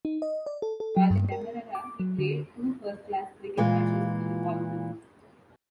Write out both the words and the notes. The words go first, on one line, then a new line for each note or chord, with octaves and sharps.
While in Demerara he played two first-class cricket matches for the colony.
D#4
D#5
D5
A4
A4
F#3
G2
A#4
D6
F#3
D3
A#2 E3 G#3 F4